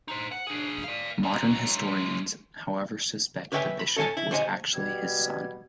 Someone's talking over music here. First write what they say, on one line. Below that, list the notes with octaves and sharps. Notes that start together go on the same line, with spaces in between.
Modern historians however suspect the bishop was actually his son.
D#4 C5
F#5
D4 G#4
D5 F5
F#3 G#3
G4 B4 C#5 E5 G5 G#5
B5
A4 C#5 E5 G#5 A5
E4
G4 C5 C#5 D#5 G#5
B2 G3 G#6